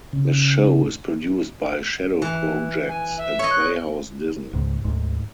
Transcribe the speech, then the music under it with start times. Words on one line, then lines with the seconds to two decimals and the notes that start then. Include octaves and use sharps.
The show is produced by Shadow Projects and Playhouse Disney.
0.13 C#3
2.22 E3
2.89 G#5
3.17 E5
3.39 C#5 D#5
3.51 F#6
4.53 C#2 G#2
4.85 D2 G#2